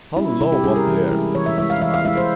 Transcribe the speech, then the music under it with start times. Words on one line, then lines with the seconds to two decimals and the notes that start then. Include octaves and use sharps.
"Hullo, up there!" he was demanding.
0.17 G3 C#4 E4
0.41 C3 E4
0.52 G4
0.64 G3 C#4 G#4
0.76 A#4
0.88 E3
1.11 G#3 E4
1.35 E3 C#5
1.46 E5
1.58 G#3 E4 E5
1.70 F5
1.82 E3 E5
1.94 F5
2.05 G#3 E4 E5
2.17 C5